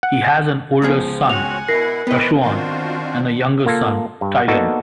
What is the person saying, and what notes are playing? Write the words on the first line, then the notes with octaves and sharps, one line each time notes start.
He has an older son, Rashaun, and a younger son, Tylon.
F#5
C#2 F3 B3 G#4
C4 C#4 F#4 F#5 G#5 F7
B2 E4 A#4 A#6 C7
E3 B3 C4 B4 D#5
D#3 C4 D4 F4 F#4 C5
A#3 F4 A4
G2
A#3 B3 D4 D#4 F#4 A4